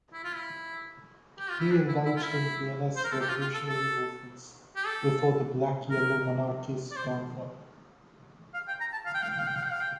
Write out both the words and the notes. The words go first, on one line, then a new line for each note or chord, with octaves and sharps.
He indulged in Viennese revolutionary movements before the black-yellow monarchy's downfall.
E4
F4
E4
G4
F4
E4
D4
E4
E4
F4
E4
C5
A#4
A4
G4
F4
F4
A4
A4
G4
A4
A#4
D5
C5
F5
G5
A#5
A5
F5
G5
F5
G5
F5
G5
F5
G5
F5
G5